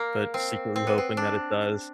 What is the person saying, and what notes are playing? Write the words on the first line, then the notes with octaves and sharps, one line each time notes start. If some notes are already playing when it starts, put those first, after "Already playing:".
but secretly hoping that it does.
Already playing: A#3
C4
C4
B3
C4
D4